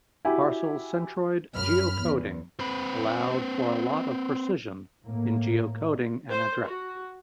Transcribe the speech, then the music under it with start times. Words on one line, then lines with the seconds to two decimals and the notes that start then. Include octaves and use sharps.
Parcel-centroid geocoding allowed for a lot of precision in geocoding an address.
0.25 E4 F#4 G4 G#5
1.56 F#2 B5 F6
2.03 E2
2.60 C4 B4
5.04 A2 A#3
6.29 C5
6.66 F#4